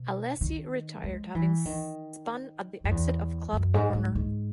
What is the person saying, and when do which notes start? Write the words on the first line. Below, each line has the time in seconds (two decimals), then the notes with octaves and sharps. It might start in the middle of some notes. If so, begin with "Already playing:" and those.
Alesi retired having spun at the exit of Club Corner.
Already playing: B2
0.41 D#3
1.04 G#3
1.35 E3
1.65 D#3
2.84 F#2
2.91 E2
3.53 F#2
3.74 G#2
3.94 G#2
4.15 G#2